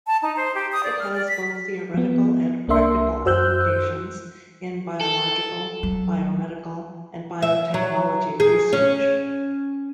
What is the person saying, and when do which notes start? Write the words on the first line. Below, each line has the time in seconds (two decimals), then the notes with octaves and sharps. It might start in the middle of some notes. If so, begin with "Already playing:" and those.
It has both theoretical and practical applications in biological, biomedical and biotechnology research.
0.07 A5
0.22 D#4
0.36 C5
0.55 G4
0.72 D#6
0.84 D5
0.99 F6
1.14 D5
1.28 B6
1.94 F3 B3
2.68 C2 A#3 D4 A#4 E5 C6
3.25 F#2 F#4 C5 E6 F#6 G6
5.01 A4
5.83 F#3
7.42 E5
7.74 F#3
8.40 G#4
8.73 C#4